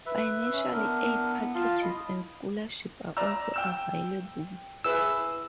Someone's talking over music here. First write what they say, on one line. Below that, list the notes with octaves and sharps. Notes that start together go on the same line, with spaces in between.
Financial aid packages and scholarships are also available.
B4 E5
C#4 E5
B3 D4 E4 A#4
F4 F5 A5
E4 D#5
D5 A#5 E6
G5 E6 E7
E4 G#4 B4 E6